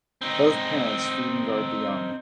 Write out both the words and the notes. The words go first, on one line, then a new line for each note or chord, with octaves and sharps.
Both parents feed and guard the young.
C4 D#4